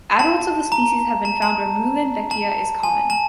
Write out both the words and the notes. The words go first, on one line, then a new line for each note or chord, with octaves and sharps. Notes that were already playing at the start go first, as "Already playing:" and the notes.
Adults of the species have been found where "Muehlenbeckia" is common.
A5
A#5
A5
A5
A5
G#5
A5